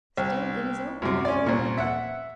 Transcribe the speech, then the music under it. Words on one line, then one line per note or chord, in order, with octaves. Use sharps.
Still it is open, if you would like it.'
C2
F#2 C3
C#4 D5
C2 A#2
E5 F#5